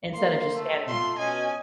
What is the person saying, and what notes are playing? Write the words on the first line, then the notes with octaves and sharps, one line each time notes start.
instead of just standing
A#3 C6
A3
F4 C6
B2 C#4 D#5 G#5